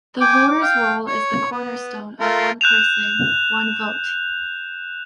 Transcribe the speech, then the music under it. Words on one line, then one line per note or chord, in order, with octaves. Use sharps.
The voters roll is the cornerstone of one person - one vote.
G5 G#5 D6
D6
F5 G5
C#5
B3
A3 F4 A#4
F#6 G6 E7 F7